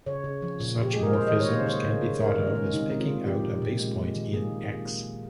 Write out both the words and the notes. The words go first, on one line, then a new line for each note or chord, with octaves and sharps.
Such morphisms can be thought of as picking out a basepoint in "X".
C#3 C#5
C#3
F3
A#2
A#2 G4
G#3 G#4
A#4
G3 C5
D#3 D#5
C#5
A#3 C5
C#3 C5
C#3
C#3
G#3 A#4
D#3
C#4
G#3
C3 D#4
C3
F4
C3
F3 G4
A#2
A#2
G#3
G#3
D#3
A#3 G#4